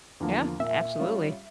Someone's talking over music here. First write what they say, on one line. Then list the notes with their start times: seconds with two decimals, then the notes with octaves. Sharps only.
Yeah, absolutely.
0.20 E2 D3 F3 A#3
0.59 A#2 E5
0.99 G3 C#4 F4